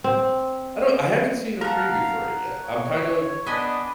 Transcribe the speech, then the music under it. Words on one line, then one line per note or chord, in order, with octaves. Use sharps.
I don't I haven't seen a preview for it yet. I'm kind of
C4
A#4 F5 F#5 A5 A#5
C#5
B3 D4 B4 D#5 G#5